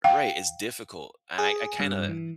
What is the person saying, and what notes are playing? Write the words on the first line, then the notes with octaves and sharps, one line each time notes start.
Right, it's difficult, and I I kinda
F5 G5
G#4
G2
E3